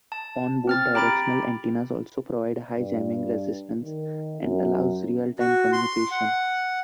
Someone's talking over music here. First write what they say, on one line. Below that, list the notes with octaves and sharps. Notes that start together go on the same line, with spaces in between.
On-board directional antennas also provide high jamming resistance and allows real time communication.
A5
C4 F6 A6
G4 G5 A#5 B5 A6 D7
G2
D#3
F#2
F#4
C6
F#5